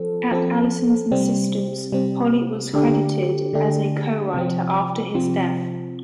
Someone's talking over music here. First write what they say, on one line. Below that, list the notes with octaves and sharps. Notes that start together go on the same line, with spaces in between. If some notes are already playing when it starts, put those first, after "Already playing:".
At Allison's insistence, Holly was credited as a co-writer after his death.
Already playing: F3 C4 A4
F3 C4 A4
C3 G3 C4
C3 G3 C4
D3 A3 D4 G4
D3 A3 D4 G4
C3 F3 C4
C3 F3 C4